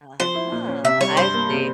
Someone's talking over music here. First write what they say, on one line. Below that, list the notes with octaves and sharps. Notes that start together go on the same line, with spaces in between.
Uh-huh, I see.
F3 C5
E4
A#2
C#4
C3 E5
G3 C#5
G2 C5
A#3
C3